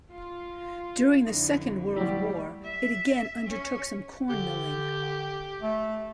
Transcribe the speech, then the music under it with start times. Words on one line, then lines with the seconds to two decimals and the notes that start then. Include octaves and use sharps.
During the Second World War it again undertook some corn milling.
0.13 F4
1.27 F2 D3 D#4 E4
1.96 A#2 F#3 G3 A3 E4 G4
2.64 E5
3.47 C#4
4.30 D3 G4
5.61 A3